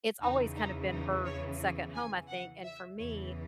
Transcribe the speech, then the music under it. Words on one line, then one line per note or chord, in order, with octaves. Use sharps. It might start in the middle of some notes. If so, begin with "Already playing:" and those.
it's always kind of been her second home, I think, and for me
E2 C#3 E3 D#4
D#4
D#4
C#5
G#5
F#5
E5
E2 C#3 E3 C#5